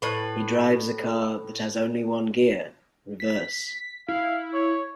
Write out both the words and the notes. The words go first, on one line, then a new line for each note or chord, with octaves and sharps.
He drives a car that has only one gear, reverse.
A2 B4
B6
E4 F5
C#5